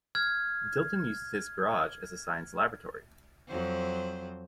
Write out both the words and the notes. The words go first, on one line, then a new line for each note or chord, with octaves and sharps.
Dilton uses his garage as a science laboratory.
F6 G#6
F2 F#3 C5